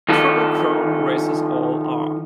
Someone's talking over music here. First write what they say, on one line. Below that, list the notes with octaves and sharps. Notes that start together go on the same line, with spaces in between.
Triple Crown races all are.
D#3 F3 F4 A4